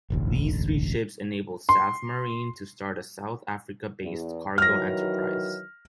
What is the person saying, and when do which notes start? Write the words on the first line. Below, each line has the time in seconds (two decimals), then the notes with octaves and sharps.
These three ships enabled Safmarine to start a South Africa-based cargo enterprise.
0.10 E1 A1 D2
1.69 C6
4.03 E2
4.58 D#3 E3 F#3 F6 A#6